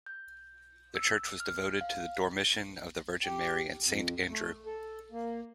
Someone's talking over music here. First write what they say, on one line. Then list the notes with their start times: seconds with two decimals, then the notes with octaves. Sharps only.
The church was devoted to the Dormition of the Virgin Mary and Saint Andrew.
0.06 G6
0.95 E6
1.40 F6
1.81 F5
3.24 G4
3.85 F2
4.28 A3
4.66 A4
5.12 A#3